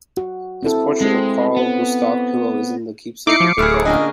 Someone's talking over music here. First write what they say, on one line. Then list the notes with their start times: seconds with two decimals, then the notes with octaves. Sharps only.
His portrait of Carl Gustaf Pilo is in the keepsake of the Academy.
0.17 F#4
0.63 C4 E4 A4
1.01 G#3 C4
1.57 B3
3.27 D#4 E4 D6 C7 C#7
3.40 F3
3.58 D1 A3 G#4 B4 F5
3.85 D3 A#3 C#4 D#5